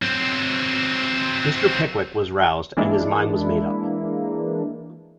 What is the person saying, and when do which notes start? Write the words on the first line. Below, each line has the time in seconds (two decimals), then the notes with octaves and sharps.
Mr. Pickwick was roused, and his mind was made up.
0.02 F#3 C4
2.77 E3 G#3 A#3 D4 E4